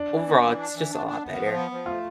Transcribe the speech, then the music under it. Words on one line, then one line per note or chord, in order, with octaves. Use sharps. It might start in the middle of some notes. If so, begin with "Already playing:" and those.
Overall, it's just a lot better,
Already playing: D4
E3
B3
E3
D4
E3
D4
D4
B3
F3
B3
F3
A3 F4